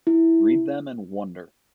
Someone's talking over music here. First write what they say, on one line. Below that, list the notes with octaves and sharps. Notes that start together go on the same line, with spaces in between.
Read them and wonder!
E4